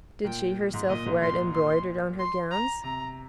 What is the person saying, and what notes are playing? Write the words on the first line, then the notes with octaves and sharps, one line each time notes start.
Did she herself wear it embroidered on her gowns?
A#2 G5
G#2
A#2 D#5
G#2
A#2 C6
C6
C6
A#5
C3 A#5